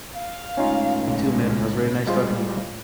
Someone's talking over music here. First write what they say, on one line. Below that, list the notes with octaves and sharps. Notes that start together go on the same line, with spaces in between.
You too, man. It was very nice talking to you.
F5
G1 C#2 A2 C#4 D#4 F4
B1
B5
G3 G#3 F4 C5
A2